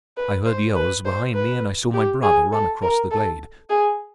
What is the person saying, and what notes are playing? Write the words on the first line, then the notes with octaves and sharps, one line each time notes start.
I heard yells behind me, and I saw my brother run across the glade.
B4
C5
B4
C5
B4
G4
G#4
A4
A#4
A4
G#4